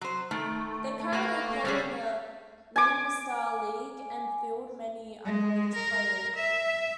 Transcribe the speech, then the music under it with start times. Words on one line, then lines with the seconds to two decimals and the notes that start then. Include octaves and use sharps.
They currently play in the leinster league and field many underage players.
0.01 F#3 C5
0.31 D#3 A3
1.00 A3
1.13 A#3 B4 G#5
1.65 D3 G3 C#4 G#4
2.76 G#5 D6
5.25 G#3
5.75 A#4
6.36 E5